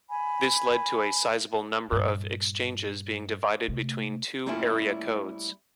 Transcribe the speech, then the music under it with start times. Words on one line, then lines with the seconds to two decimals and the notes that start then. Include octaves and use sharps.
This led to a sizeable number of exchanges being divided between two area codes.
0.10 G#5 B5
1.92 G2 A#2
3.68 C3 A3
4.46 G3 A3 A#3 C#4 E4 F4